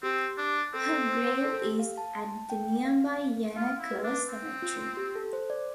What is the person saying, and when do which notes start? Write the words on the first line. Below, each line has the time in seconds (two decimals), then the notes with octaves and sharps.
Her grave is at the nearby Yanaka Cemetery.
0.03 C4 G4
0.38 D4
0.74 C4 A4
0.92 C5
1.09 C5
1.26 C5
1.45 A4
1.62 G4
1.79 F5
1.98 A5
2.15 A5
2.50 G5
2.85 F5
3.56 F4 F5
3.80 E4
3.91 B4
4.04 D4
4.27 C4
4.62 F4
4.97 G4
5.15 A4
5.33 C5
5.50 D5